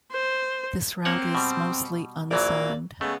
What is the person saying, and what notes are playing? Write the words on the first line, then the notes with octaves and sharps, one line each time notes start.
This route is mostly unsigned.
C5
A#3 C4 C#5 F#5
B2 G3
A#1 E3 F#3 A#3 D5
C#3 G#3 A3 B3